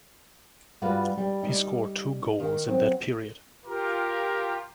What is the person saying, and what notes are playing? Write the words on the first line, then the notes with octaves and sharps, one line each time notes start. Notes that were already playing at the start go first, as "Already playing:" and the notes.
He scored two goals in that period.
G2 G3 F4 F#4 B4 F#5
G3
G3 D#4
D#3
F#3 C4
F4 G4 A#4